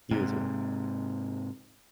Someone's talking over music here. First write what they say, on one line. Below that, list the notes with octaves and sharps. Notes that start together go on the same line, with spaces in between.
You as well.
G#2 C3